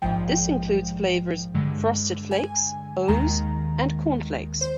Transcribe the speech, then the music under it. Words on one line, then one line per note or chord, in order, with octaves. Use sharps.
This includes flavors Frosted Flakes, O's, and Corn Flakes.
A#1 G#2 F3 G#3 G5
G2 D3 G#3
G#5
D#2 D#3 G#3 A#5
C5